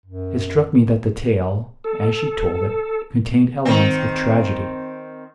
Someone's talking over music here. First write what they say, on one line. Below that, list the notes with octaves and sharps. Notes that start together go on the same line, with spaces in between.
It struck me that the tale, as she told it, contained elements of tragedy.
F#2
A4
D#3 C4